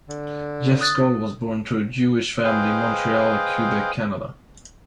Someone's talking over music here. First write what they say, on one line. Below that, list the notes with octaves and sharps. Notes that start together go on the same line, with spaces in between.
Jeff Skoll was born to a Jewish family in Montreal, Quebec, Canada.
D3
D#6 F#6 A6
G#4 B4 C5 D#5 F5 G5